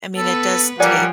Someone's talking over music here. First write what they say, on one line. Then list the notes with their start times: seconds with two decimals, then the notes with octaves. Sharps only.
I mean, it does take
0.17 B3 A4 B4
0.80 F3 G3 A#3 D5 F#5 G#5